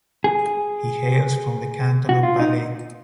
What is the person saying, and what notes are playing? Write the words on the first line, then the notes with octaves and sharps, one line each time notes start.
He hails from the canton of Valais.
G#4
F#4
F4
D#4